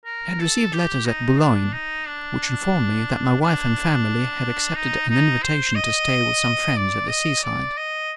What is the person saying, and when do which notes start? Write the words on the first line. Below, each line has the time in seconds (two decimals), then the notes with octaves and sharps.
I had received letters at Boulogne, which informed me that my wife and family had accepted an invitation to stay with some friends at the sea-side.
0.05 A#4
0.39 A4
0.73 G4
1.06 D#4
1.40 D4
1.73 D#4
2.07 D4
3.41 D4
4.76 D#4
5.09 D#4
5.42 C5
5.76 D#5
6.77 D5
7.09 D#5
7.43 D5
7.78 D#5